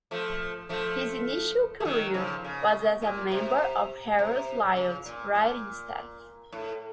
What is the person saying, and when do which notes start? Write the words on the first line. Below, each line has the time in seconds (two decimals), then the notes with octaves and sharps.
His initial career was as a member of Harold Lloyd's writing staff.
0.11 F3 A3
0.69 F3 A3
1.80 A3
1.85 D#3 F#3
2.14 C#3 F3
2.44 C#3
3.02 A#2
3.32 C3
4.19 C3
4.76 C#3
5.06 A#2
5.35 A#2
6.52 A2